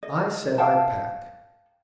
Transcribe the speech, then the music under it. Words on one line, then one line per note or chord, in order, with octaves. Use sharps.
I said I'd pack.
D#5
F5 G5 A5